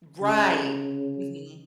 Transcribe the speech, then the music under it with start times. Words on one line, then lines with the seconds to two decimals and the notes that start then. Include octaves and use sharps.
Right. Mhm.
0.22 C#3